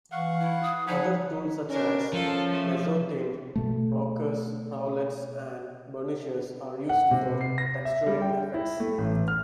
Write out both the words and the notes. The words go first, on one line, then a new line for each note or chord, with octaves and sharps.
Other tools such as mezzotint rockers, roulets and burnishers are used for texturing effects.
E3 F5 F#5 C#6
E4
D#6
F3 D#4 F#5 G#5 B5
C#4 D4 A#4
F3 C#4 A4 F5
A3
B2 A3
F#5
C3
C7
A#6
E5
G3
G5
E4
A3
A1
F6